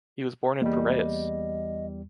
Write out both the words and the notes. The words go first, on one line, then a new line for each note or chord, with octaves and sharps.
He was born in Piraeus.
E2 G3 A#3 D#5